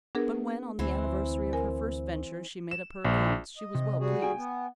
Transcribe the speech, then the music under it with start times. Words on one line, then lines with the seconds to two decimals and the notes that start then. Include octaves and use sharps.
But when on the anniversary of her first venture she made up her accounts she was well pleased.
0.15 B3 D4 G#4 A#4
0.79 D2 E3 C4
1.53 A#4 G#5
2.71 E7
3.05 A#1
3.58 D#5
3.75 C3
4.00 G3 F#4 G#4
4.22 G5 G#5
4.37 B3